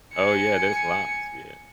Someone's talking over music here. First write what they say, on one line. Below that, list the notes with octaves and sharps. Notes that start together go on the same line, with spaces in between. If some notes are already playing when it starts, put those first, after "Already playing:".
Oh, yeah, there's lots, yes.
G#5 C#7